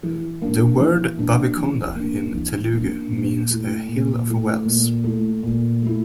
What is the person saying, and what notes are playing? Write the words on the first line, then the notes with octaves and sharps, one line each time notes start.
The word "Bavikonda" in Telugu means "a hill of wells".
E3
A#3 D4
E3
A#3 D4
E3
A#3 D4
E3
A#3 D4
A#2
A3 E4
A#2
A3 E4
A#2
A3 E4
A#2
A3 E4